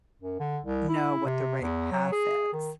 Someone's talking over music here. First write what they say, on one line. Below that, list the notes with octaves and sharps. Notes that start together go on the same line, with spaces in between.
know what the right path is?
F#2
D3
C2
E4
C3
E2
F#3
G#4
D#3